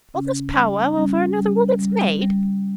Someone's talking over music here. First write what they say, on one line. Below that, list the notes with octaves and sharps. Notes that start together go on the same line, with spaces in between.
"All this powwow over another woman's maid!"
C#3 C#4
G3
G3 C#4
G3
G3
G3